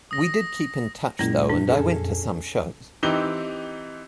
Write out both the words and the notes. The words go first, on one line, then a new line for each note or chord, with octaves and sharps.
We did keep in touch though and I went to some shows.
D#6 A#6
F#2 A#2 G#3 C#4 E4
D4
F2 C#4 G#4 A4
E3 C4 D#4 G4 G7